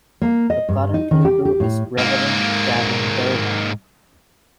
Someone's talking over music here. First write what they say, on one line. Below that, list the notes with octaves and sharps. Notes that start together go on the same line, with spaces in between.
The current leader is Reverend Gavin Berriman.
A#3
D#5
G2
D#4
D#3
G4
G4
A2
G#2 A#3